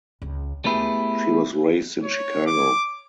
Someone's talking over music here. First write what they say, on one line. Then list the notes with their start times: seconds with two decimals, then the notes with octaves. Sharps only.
She was raised in Chicago.
0.22 C#2
0.64 G3 A3 B3 E4 G4 G#4
2.04 C#5
2.46 D6